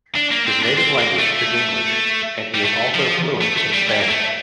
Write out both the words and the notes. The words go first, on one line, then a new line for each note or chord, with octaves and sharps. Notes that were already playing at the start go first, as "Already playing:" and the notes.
His native language is English and he is also fluent in Spanish.
D4
A#3
C4
D4
C4
A#3
A3
G3
A3
F3
A3
A3
G3
G3
A#3
A3